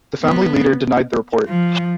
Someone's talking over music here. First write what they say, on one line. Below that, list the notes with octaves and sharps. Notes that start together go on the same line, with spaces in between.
The Family Leader denied the report.
B3
F3